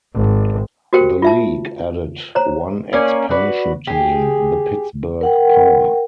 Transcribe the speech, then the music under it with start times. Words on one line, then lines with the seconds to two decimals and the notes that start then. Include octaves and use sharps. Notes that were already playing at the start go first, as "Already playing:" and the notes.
The league added one expansion team, the Pittsburgh Power.
0.14 G#1
0.93 F#4 G4 A#4 C5 G5
1.22 F4 E5 A5
2.35 C5 C#5 A#5
2.93 A#3 C#4 D5 G#5
3.31 F#4 B4 D5
3.87 G4 G#4
5.21 A#4 F#5 G5